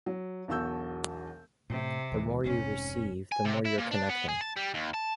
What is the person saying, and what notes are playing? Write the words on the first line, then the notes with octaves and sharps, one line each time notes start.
The more you receive, the more you're connecting.
F#3
E1 B1 F#4 A5 E6 G6
A2 C3
D2 E3 G#3
F1 G#2 C3 C#4
G#5
C3
E4
A#2
D4
B3
G#4
A5
G3
D#2
A5